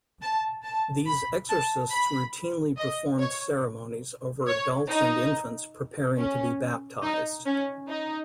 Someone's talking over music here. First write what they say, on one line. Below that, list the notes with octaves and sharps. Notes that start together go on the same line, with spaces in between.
These exorcists routinely performed ceremonies over adults and infants preparing to be baptised.
A5
A5
B5
A5
B5
D#5
C#5
C#5
D#4
C#4
D#4
C#4
D#4